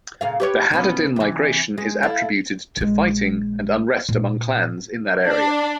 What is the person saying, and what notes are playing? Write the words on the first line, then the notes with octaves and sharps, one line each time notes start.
The Haddadin migration is attributed to fighting and unrest among clans in that area.
A#2 C#3 F5
G4 B4 C#5
B2 B3 C#4
C3 E3
G#3
E4 A4 F5
A#1 G#3
A#2 D4
D4